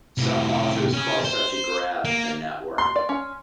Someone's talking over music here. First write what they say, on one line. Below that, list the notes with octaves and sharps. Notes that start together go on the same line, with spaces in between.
Some authors call such a graph a "network".
A2 C3
C#4 G#4
C5
A#3
C6
D5
C#4